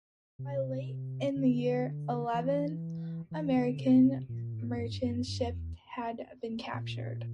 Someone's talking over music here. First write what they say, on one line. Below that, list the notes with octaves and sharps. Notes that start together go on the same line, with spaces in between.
By late in the year eleven American merchant ships had been captured.
C3
D3
E3
E3
D3
C3
A#2
A2
G2
A2
G2
G2
G2
F2
E2
A#2